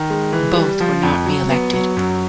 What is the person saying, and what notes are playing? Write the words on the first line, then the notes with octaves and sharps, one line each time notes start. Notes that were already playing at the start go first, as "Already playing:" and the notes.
Both were not re-elected.
Already playing: D#3
G#3
E3
G3
F3
F2
F#3
B3
F#3
F#2